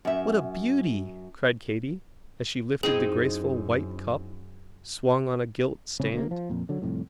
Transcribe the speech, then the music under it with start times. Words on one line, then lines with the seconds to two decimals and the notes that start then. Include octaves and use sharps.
"What a beauty!" cried Katy, as she lifted the graceful white cup swung on a gilt stand.
0.05 F#2 E5
2.83 F#2 C4 D#4 E4 G#4
6.00 E1 C#3 C4 C#4
6.13 D2 A#3
6.31 F3
6.49 F2 A#2
6.69 D3 F#3
6.82 C2 F2 A2